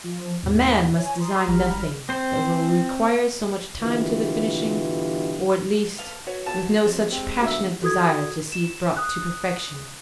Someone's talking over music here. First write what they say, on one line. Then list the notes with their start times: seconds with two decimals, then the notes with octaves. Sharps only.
A man must design nothing that will require so much time to the finishing, or, at least, with no such passionate desire to see it brought to perfection.
0.04 F3
0.43 D#2 G#2 B2
0.96 C#5 G#5
1.18 A#5 C6 D#6
1.47 G#1 G3 A#5 B5 F6
2.09 C4 C5
3.82 G2 B2 D3 E3 F4 G4
5.99 A4 B4 F5
6.27 F#4 B4 C#5
6.46 A5
6.85 F3 F#3 C4
7.12 G#3 C4 G4
7.41 G#2 D3 F#3 A3 B3 E5
7.82 F#4 A4 D#6 G#6
8.52 E7
8.97 D#6 F#6